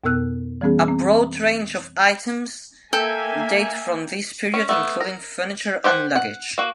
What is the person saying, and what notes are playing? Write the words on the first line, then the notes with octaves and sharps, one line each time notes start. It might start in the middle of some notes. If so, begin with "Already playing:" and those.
A broad range of items date from this period including furniture and luggage.
F2 B2 B3 A#4 E6 F#6
E3 G3 B3 C#4 G#4
C4
A#3 A4 E5 G5 G#5
C#4
A3 B3
A#4
G4 C5 F#5 G#5
F#5
A#3 F#4